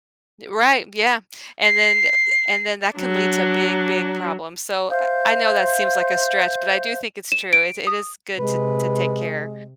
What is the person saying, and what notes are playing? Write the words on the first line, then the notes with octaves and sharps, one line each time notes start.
I right, yeah. And then eh, eh, and then that can lead to big, big problems, so I I know that seems like a stretch, but I do think it's true; it it is good to to take care
C7
F#3 D4
C5 E5 F5 G6
E7
D7
D#6
C3 G#3 B4